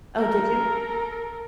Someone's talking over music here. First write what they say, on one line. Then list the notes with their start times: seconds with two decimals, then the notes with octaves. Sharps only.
Oh, did you?
0.18 A4 A#4